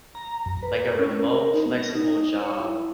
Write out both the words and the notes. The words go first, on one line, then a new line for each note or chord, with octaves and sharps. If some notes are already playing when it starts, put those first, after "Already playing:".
like, a remote flexible job,
A#5
F#2
B4
A#4
C#4
A#4
D#4
B3
A#6
D#4
C#5
E4